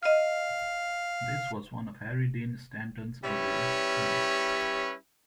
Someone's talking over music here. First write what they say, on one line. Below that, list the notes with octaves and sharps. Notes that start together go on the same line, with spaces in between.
This was one of Harry Dean Stanton's earliest films.
D#5 F5 F6
G3 C#4 E4 B4 C#5